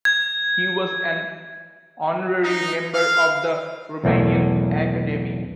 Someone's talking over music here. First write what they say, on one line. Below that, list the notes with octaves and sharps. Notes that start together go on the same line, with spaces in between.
He was an honorary member of the Romanian Academy.
G#6
D#4
F5
B1 E2 A3 A#3